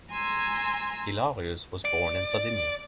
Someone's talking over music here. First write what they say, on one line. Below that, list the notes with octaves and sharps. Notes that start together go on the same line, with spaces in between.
Hilarius was born in Sardinia.
G#5 A#5 C6 E6 G#6
D5